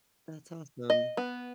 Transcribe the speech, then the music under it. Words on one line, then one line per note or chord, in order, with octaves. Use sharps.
That's awesome.
D#5
B3